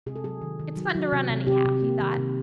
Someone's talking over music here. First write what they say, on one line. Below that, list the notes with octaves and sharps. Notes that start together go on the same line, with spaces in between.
"It's fun to run, anyhow," he thought.
C3 G#4
A4
F#3 G#4
D#3
D#3
F#3
F#3
C3
C3
C3 G4
C3
A#3
D#3
C3